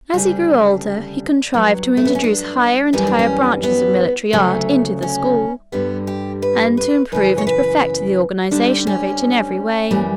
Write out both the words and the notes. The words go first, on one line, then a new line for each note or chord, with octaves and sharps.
As he grew older he contrived to introduce higher and higher branches of military art into the school, and to improve and perfect the organization of it in every way.
D2 C#3 G3 D4
G2 F#3
A3
B3
C#4
D4
F#2 E3 G3 C#4
D4
C#4
B3
D2 C#3 F#3 A3
C#4
G2 D3 G3 B3
G4
B4
B4
F#2 C#3 E3 B4
C#5
B4
D2 D3 G3 D4
C#4
F#2 E3 G3